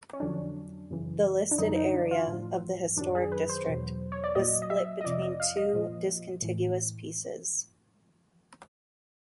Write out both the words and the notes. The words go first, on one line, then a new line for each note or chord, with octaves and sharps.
The listed area of the historic district was split between two discontiguous pieces.
C#4
F2 D3 F#3 D4
F#2 C#3 E3
D4
F#2 D3 F#3 D#4
D#4
D4
F4
A2
F3
F#2 D#3 F#3 D4
G#4
B4
C5
E2 B2 F#3
C#5
D5
A#2 F#3 D#5
D#5
E5
D#5
F2 C3 F3 D5
D#5
F5
D#5
A#2 F3
A2 E3